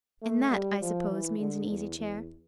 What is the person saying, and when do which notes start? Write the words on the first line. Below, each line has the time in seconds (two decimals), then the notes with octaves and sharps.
"And that, I suppose, means an easy-chair?"
0.22 A3
0.51 G3
0.81 F3
1.10 E3
1.40 D3
1.69 E2
1.99 E2